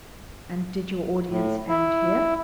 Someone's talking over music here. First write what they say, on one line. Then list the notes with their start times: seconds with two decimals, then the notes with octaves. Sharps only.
'And did your audience end here?'
1.28 A2
1.68 E4